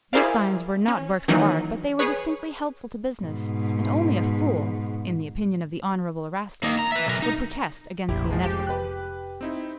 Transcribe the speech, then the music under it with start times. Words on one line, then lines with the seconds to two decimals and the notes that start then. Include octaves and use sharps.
These signs were not works of art, but they were distinctly helpful to business, and only a fool, in the opinion of the Honorable Erastus, would protest against the inevitable.
0.13 E4 G#4 A#4 C5 D5 F5
0.88 C#4
1.28 D#3 E3 F#3 A#3 C#4 D#4
1.99 G#4 B4 C#5
3.23 G#2 B2
6.63 A#3 D#4
6.79 A#5
6.92 B4 E5
7.07 B1 A#4
7.22 D#4
8.09 F1 A#1 E4 G4
8.30 F3 G#3
8.43 G4
8.67 B4 F#6
9.41 C4 D#4 E4